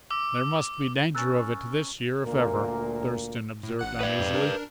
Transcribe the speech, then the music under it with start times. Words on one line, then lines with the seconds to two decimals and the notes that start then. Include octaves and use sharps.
"There must be danger of it this year if ever," Thurston observed uneasily.
0.11 D6 E6
1.15 C#4 A#4 E6 F#6 A6
2.24 D2 A#2 A#3 A#4
3.63 A2
3.79 A1 F#5 F#6
4.00 B4 D5
4.19 F2 G#2
4.33 D4 A#4